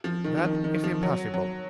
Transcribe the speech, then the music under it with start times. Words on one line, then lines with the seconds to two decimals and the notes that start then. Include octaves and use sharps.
"That is impossible."
0.04 F3
0.24 D#3
0.37 F3
0.44 D#3
0.64 D#3
0.75 D#3
0.84 F3
1.03 F#3
1.34 F#3